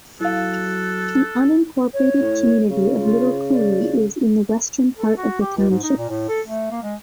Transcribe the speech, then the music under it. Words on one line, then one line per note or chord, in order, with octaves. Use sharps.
The unincorporated community of Little Cooley is in the western part of the township.
F#3 E4 A4 F5 F#6
C#5
A2
C#3
F4
D5
A4
F#4
G4
C#2
G#2
D#4
A#2
A2
A4
A3
A#3
G#3